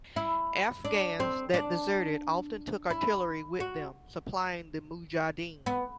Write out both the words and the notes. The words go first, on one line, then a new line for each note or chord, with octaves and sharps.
Afghans that deserted often took artillery with them, supplying the mujahideen.
E4
D4
C4
D4
E4
F#4
B3